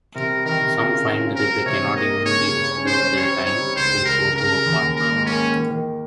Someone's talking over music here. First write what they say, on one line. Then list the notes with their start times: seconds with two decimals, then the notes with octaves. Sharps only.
Some find that if they cannot evenly distribute their time, they forego a partner.
0.15 C3 A#4
0.31 G3
0.45 D#3 A#4
0.61 C3
0.75 C#3 A#4
0.91 F4
1.06 C#4
1.21 F4
1.36 C4 A#4
1.51 C4
1.66 C3 C#5
1.81 C3
1.95 A#3 D#5
2.10 A#3
2.26 C#3 C#5
2.41 C#3
2.56 G2
2.71 C#4
2.86 C#4 C5
3.00 C#4
3.16 G3 C#5
3.31 C4
3.45 D#4 C#5
3.61 G3
3.76 C#2 C5
3.91 G3
4.05 C#2 A#4
4.21 C#2
4.36 C#3 A#4
4.51 C#3
4.66 D#2
4.81 D#2
4.96 A#3 A#4
5.11 G#2
5.25 A#3 C#4
5.40 A#3
5.56 D#3
5.71 D#3